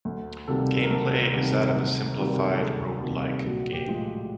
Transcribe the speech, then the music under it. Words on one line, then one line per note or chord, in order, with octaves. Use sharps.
Gameplay is that of a simplified roguelike game.
D2
C3 D#3 G3 A#3 A4
A#4
D2 A4
C3 D#3 G3 A#3
D2
C3 D#3 G3 A#3
A4
D2 G#4
C3 D#3 G3 A#3 G4
A#1 F#4
G4
A2 F3 G#3